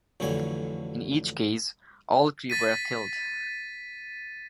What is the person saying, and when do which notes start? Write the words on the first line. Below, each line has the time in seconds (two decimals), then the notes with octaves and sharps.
In each case, all crew were killed.
0.20 A1 F2 D3 F#3 G#5
2.50 A6 B6 D#7